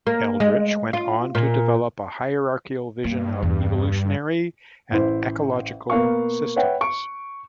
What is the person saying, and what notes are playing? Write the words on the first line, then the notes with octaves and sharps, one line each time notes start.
Eldredge went on to develop a hierarchical vision of evolutionary and ecological systems.
A#3
G#3
F4
A#2
G2 A#3
E2
A1 E4 C5
B2 A#3 B3 F5 C#6
B4 C#5 E5 F#5 G5
C#6 D7